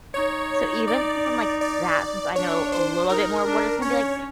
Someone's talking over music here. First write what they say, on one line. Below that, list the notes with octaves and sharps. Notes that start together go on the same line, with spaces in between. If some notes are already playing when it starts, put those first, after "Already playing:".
So even something like that, since I know a little bit more of what it's gonna be like
D#4 C#5
D5
D5
D4 C#5
C5
D#4 A#4
D4
C#4 C#5